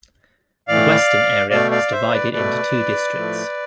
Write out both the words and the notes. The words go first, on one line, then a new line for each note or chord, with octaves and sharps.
The Western Area is divided into two districts.
A2 E3 A3 D5 F5
B2 A3 D5 F5
D5 F5
C5 E5
B4 D5
B2 A3 B4 D5
A2 F3 A3